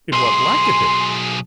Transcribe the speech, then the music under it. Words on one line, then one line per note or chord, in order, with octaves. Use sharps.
"In what lacketh it?"
B1 G#4 C6